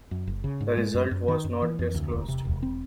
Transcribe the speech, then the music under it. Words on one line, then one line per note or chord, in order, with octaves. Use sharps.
The result was not disclosed.
F#2
F#1
C#3
G#2
G#3
F#2
F#2
D#3
F#2
E3
F2
D2
E1
C3
E1
C4